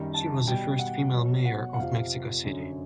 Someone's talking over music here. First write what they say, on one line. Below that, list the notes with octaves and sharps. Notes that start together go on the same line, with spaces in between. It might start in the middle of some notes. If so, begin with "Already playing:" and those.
She was the first female Mayor of Mexico City.
Already playing: F#2 D#3 G3 A#5
A5
B2 G3 G5
F#5
B2 F#3
F#5
F#5
F2 C3 F3 F5
F#2 D3 F#3